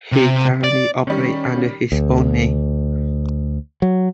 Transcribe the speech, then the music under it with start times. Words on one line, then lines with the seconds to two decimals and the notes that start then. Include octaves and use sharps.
He currently operates under his own name.
0.12 C3
0.64 D5
1.07 D#3 G3 C#4
1.92 D2
3.82 F#3